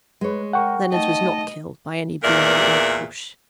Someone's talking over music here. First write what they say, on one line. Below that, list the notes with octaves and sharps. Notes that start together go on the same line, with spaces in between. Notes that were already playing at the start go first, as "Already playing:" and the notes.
'Leonards was not killed by any blow or push.'
G#3 B4 C#5
A#4 F#5 G5 C#6
A3 D#4 D#5 A5
E2 A#2 A#4 D5 E5